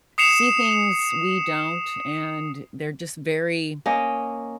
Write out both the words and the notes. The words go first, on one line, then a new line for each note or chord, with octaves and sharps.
see things we don't, and they're just very
D#6 C7 C#7 E7 F7
A#3 C#4 D#5